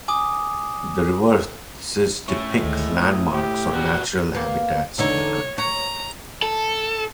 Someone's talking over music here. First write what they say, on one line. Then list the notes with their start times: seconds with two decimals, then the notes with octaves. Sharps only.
The reverses depict landmarks or natural habitats in the country.
0.08 G#5 D6 D#6
2.28 A2 C#4 C#6
2.59 D2 D#3 G#3 A4
3.02 D#6
3.35 G4
3.71 A#2 F#4
4.35 A#3 B3
4.98 E2 D3 D#4 C#5
5.58 C#5 A#5
6.42 A4